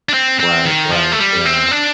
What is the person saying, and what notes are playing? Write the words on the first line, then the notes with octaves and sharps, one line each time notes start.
Right. Right. Yeah.
D4
C4
C4
D#3
F3
A3
G3
C4
D4